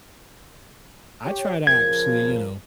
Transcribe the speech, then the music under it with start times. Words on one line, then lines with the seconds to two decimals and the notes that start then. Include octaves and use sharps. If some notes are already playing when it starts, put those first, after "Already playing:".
I try to actually, you know,
1.23 G4 C#5
1.67 C#3 F3 A#4 G#6